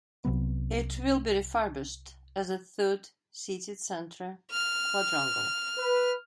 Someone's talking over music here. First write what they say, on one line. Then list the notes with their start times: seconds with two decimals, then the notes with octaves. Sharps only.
It will be refurbished as a third city centre quadrangle.
0.25 C2 C3 F#3 B3
4.52 F6
5.77 B4